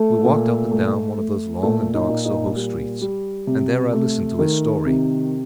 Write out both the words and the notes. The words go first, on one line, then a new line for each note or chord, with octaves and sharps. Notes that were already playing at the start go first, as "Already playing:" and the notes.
We walked up and down one of those long and dark Soho streets, and there I listened to his story.
Already playing: A3 A4
A#2
A3
A3
A#2 A3 A4
D#4
A#2
D#4
G3
G3
C3
A3
D#3
C3